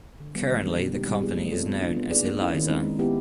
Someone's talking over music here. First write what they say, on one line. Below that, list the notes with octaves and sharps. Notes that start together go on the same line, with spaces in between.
Currently the company is known as Elisa.
D3
G3 B3
D#3
G#3 B3 D4 G4
B2
G#3 C4 D#4 G4
G3
B3 E4 G#4
A3
C4 F4 A4 C#5
B3
D4 F4
B3
D#4 G#4 B4 D5
A#3
C#4 E4
D#3
G#3 C4 D#4
G#3
B3 E4 G4